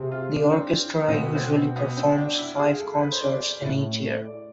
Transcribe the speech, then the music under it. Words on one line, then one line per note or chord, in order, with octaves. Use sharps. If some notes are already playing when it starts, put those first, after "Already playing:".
The orchestra usually performs five concerts in each year.
Already playing: C3 G#4
F4
D4
D4
C4
A2 C4
B2 B3
C4
C4
B3
C4
D4
E4
F4
G#4
A4
B4
C5
D5
D5
A2
D5